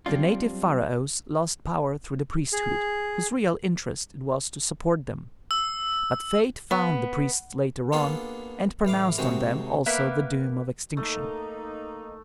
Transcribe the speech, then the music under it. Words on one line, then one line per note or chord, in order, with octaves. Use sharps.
The native pharaohs lost power through the priesthood, whose real interest it was to support them; but fate found the priests later on, and pronounced on them also the doom of extinction.
F#3 G3 C4 D4 F4
G#4
E6
B3
A#3 B3 D4 F4 G#4 A4
A1 E3 F5 D6
C3 D#3 G#3 C4 F#4 G#4
A#3 B3 A#4 B4 E5
A3 A#3 D#4